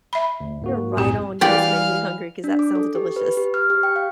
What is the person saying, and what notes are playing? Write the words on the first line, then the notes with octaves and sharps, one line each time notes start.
You're right on, you just made me hungry, 'cause that sounds delicious.
E5 B5
D2
G#2 A#3 F#4
B1 F#2 A2 C4 G4
E3 G3 G4 D5 F5
D4
D6
A4
G4
B4
G4
F6
G4
G5
F5